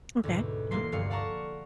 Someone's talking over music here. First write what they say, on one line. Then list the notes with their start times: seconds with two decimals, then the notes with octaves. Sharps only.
Okay, yep.
0.23 D2 G#2 B2
0.71 E1 A#3 C6 C7
0.92 F1 D2 G2 F5 C#7
1.10 D5 F5 F#5 A5 A#5 C#6